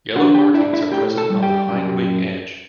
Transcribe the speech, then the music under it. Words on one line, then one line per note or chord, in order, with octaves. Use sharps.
Yellow markings are present on the hindwing edge.
D4 F#4 F#5
G4 G5
D4 E4 E5
E4 E5
A2 G4 G5
A4 A5
G3
G4 G5
F#2